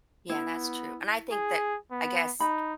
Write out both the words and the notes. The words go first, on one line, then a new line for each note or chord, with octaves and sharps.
Yeah, that's true. And I think that, I guess,
B3 E4
G#4
B3
D#4 B5